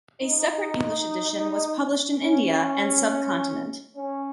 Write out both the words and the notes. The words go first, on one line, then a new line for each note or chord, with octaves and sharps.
A separate English edition was published in India and Sub Continent.
D#4
C#4
C#4